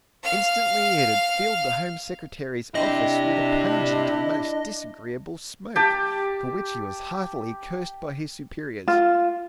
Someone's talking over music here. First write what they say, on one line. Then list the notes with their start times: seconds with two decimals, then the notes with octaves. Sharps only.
Instantly it had filled the Home Secretary's office with a pungent and most disagreeable smoke, for which he was heartily cursed by his superiors.
0.24 F5 F6
2.75 C4 D4 E4 G4 D#5
5.76 G4 A5
8.88 F4